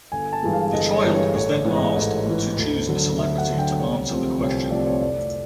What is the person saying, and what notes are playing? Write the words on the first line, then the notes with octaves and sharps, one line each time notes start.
The child was then asked to choose a celebrity to answer the question.
G1 G#5
A5
G2 E3 G#3
F5
G1 D#5
C#5
G2 E3 G#3
C#5
A1 C#5
G#2 E3
D#5
A1
G#2 E3
D2
D3 F#3
D2 E5
F#5
D3 F#3
G5
C2 C#5
C3 F3 A3 C4
C2 C#5
C3 F3 A3 C4 D5
C#5
F1 D5